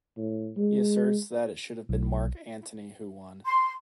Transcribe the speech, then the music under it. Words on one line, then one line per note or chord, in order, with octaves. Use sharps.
He asserts that it should have been Mark Antony who won.
A2
G#3
B1
C6